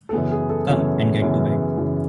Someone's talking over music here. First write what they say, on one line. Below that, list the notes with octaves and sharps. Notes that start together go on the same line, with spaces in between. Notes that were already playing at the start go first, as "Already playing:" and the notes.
Come and get to bed.
A4
F#2 C#3 E3 B3 G#4
G#4
A4
F#2 C#3 E3 B3 C#5
F#2 C#3 E3 B3
F#2 C#3 E3 B3